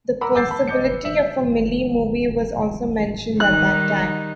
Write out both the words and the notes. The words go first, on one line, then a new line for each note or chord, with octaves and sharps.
The possibility of a Millie movie was also mentioned at that time.
A#4 F#5 A#5 B5 D6 E6
D6 E6 G6 A6 C7
A5 B5
D#5 D6 G6 C#7
B4
E5
D#3 G3 D#4 F#6